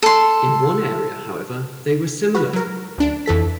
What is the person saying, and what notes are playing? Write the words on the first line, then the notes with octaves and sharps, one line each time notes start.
In one area however they were similar.
A4 C6
F#4 B4
F#3 A#4
D2 D4 D7
F2 E3 A4 B6